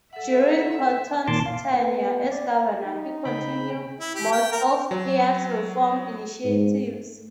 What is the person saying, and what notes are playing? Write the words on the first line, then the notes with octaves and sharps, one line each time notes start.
During Horton's tenure as governor, he continued most of Peay's reform initiatives.
A4 E5 F#5
A#2 D#3 A5 C6 D6
F5
B3
D5
D#4
C#3 G5 B5
E4
G4
G5
A#4
F#3
G#2
A3